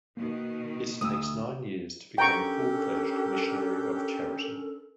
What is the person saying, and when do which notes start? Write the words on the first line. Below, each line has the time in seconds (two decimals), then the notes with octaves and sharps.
It takes nine years to become a full-fledged Missionary of Charity.
0.17 B2 D#3 A#3
1.01 D2 D#6 E6
2.18 C#4 D4 G4 A4 A#4 G5 A#5 C#6